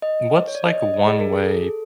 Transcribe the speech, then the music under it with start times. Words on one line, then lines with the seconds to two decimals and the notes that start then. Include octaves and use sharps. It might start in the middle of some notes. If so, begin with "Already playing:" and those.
what's like one way
0.02 D#5
0.48 C#5
0.55 D5
0.68 D#5
0.81 D#5
0.94 D5
1.07 G#4
1.20 A#4
1.33 G#4
1.46 A4